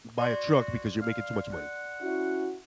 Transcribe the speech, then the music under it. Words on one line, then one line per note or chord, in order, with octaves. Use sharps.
buy a truck because you're making too much money."
F#4 D5 C6
F5
F#5
C#4 E4 F#4